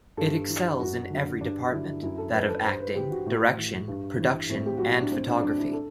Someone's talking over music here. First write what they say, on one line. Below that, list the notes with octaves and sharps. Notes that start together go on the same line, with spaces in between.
It excels in every department - that of acting, direction, production and photography.
G2 A4
E3
F#2 F#4
D3 F#3
G2 D4
D3 F#3 E4
F#2 E4
A4
F#3 B4
A4
G2 C5
B4
E3 G4
F#4
A2
E3
G2
E3
A2 C4
G4
F#3 F#4
E4
D4
A2 C4
D4
F#3 D4
E4
A4